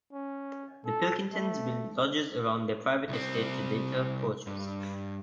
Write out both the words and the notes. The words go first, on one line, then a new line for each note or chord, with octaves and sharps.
The Pilkingtons built lodges around their private estate to deter poaches.
C#4
A4
A3
C2 C4
G2